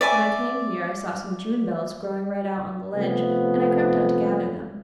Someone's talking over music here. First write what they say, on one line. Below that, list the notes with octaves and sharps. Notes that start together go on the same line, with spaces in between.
When I came here I saw some junebells growing right out on the ledge and I crept out to gather them.
D5 E5 G#5 C#6
C3 F3 A3 B3